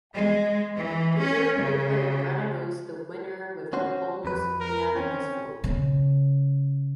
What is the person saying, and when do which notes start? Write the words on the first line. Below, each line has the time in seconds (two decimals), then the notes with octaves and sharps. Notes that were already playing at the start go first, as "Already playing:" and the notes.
The jury declared Granados the winner with an almost unanimous vote.
0.14 G#3
0.75 E3
1.18 C#4
1.58 C#3
3.73 C#4 F#4 C5
4.25 F2 B4
4.61 A#4
4.96 C4 C#4
5.64 C#3